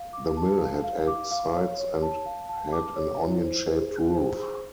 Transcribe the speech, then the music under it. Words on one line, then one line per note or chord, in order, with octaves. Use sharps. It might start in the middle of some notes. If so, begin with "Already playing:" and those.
The mill had eight sides and had an onion-shaped roof.
Already playing: F5
D6
A5
F5
F5
D6
F5
C#5
C#5
A5
F5
A5
D6
C#5
E4
C5
G#4
G#4
C5
G#4